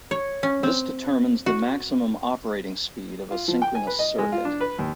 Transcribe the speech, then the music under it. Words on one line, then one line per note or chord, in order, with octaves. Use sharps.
This determines the maximum operating speed of a synchronous circuit.
C#5
C#4
C4
F#4
F4
F3
G5
G#5
B4
D#5
G#3
F4
D4
B4
D#2